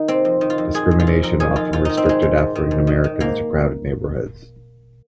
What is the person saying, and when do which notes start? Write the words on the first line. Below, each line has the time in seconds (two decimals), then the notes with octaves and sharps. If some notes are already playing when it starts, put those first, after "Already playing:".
Discrimination often restricted African Americans to crowded neighborhoods.
Already playing: D#3 D#4
0.08 C3 C4
0.25 F2
0.41 D#3
0.50 F4
0.58 F2
0.74 D#3 G#4
0.91 F2
1.00 F4
1.07 C3
1.23 F2 A#4
1.40 D#3 G#4
1.56 F2 F4
1.73 G#2 F4
1.85 D#3 D#4
1.97 C4
2.05 D#3 G#3
2.22 G#2
2.38 G#2
2.55 D#3
2.71 G#2
2.87 D#3
3.04 D#3
3.20 G#2 A#3